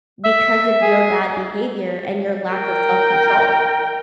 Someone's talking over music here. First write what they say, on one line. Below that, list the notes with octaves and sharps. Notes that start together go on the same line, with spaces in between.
because of your bad behavior and your lack of self-control.
E5
G#4
A#4 G5